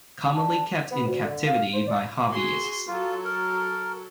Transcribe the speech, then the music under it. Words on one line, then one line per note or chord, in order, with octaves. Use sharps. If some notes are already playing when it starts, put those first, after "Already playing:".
Commonly kept in captivity by hobbyists.
D4
B3
D2
D3
F5
C5
D5
F#4 G#4 C6
F#3 F4 A4
A#4